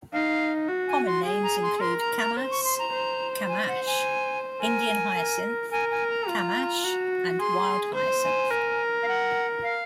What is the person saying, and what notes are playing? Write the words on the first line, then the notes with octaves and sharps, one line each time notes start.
Common names include camas, quamash, Indian hyacinth, camash, and wild hyacinth.
D#4 F5
F#4
G#5
C6
G#4
A#5
C6
A#4 C6
A#5
A#5
C5
C#6
C6
A#5
C5
G#5
F#5
G#5
A#4 G#5
A#4
A#4 G#5
G#5
A#5
F4
F#4
G#4 C6
C5
G#5
A#4
F5
F#5
F5